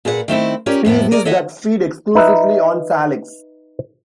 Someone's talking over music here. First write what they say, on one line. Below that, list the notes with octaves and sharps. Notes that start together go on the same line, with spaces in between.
Species that feed exclusively on "Salix".
A#2 G#4 B4 D5 F#5
D#3 A3 C4 E4
C#4 F4 G4 A#4 C#5 D5
F2 A2 B3 E4
G#4 A#4 D5 D#5
A4 C#5 D#5 E5 F#5
D#4 B4 E5